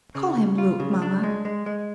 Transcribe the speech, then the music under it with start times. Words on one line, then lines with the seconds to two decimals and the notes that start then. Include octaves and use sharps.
"Call him Luke, mamma."
0.15 C#3
0.37 C#3
0.58 F4
0.80 C#3
1.02 D4
1.23 G#3
1.45 G#3
1.66 G#3